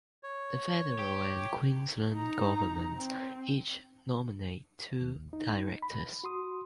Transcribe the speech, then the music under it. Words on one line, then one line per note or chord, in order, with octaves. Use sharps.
The Federal and Queensland governments each nominate two directors.
C#5
G4
D#4 A#5
C4
D#2
D#4
B5
F#4 C6 D#6